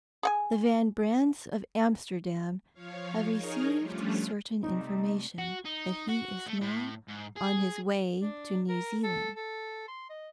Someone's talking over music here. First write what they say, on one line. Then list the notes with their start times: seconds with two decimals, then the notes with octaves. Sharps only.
The Van Brandts of Amsterdam have received certain information that he is now on his way to New Zealand.
0.23 G#4 F#5 G#5
2.74 F3 C#5 F5
3.33 D#4 G#4 A#4 C#5
3.80 F3 G3 A3 C#4 D4 F4
4.63 C3 G3 A3 D#4
5.38 F#4
5.65 D#4
6.09 F#4
6.47 A3
6.62 A2
7.08 G#2
7.37 G#4
8.20 D4
8.69 A#4
9.04 A4
9.36 A4
9.88 C6
10.10 D#5